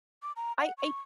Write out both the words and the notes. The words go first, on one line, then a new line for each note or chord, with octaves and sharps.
I I
D6
A#5
F#5
C#6